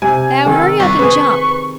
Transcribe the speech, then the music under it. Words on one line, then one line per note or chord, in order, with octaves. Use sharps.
Now, hurry up and jump.
C3 G#5
D#3 A4 A#4 F#5
C2 C#6
G#4 B4 C5